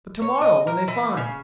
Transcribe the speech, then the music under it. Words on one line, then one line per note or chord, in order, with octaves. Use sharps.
"But tomorrow when they find...."
C#5
D#5
A#4
E3
C#3